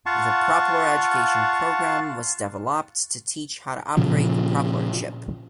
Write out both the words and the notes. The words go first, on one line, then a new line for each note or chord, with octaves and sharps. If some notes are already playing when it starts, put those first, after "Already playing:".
The Propeller education program was developed to teach how to operate the Propeller chip.
F4 F5 F#5 A5 C#6
A#2 C#3 F3